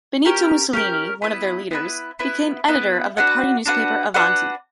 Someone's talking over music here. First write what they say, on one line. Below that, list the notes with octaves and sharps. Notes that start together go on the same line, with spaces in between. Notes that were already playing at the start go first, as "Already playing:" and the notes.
Benito Mussolini, one of their leaders, became editor of the party newspaper Avanti!
C#4 G4 A#4
C#4 G4 A#4
B3 E4 B4
B3 E4 B4
B3 E4 B4
B3 E4 B4
D4 F#4 B4 F#5
D4 F#4 B4 F#5
D4 F#4 B4 F#5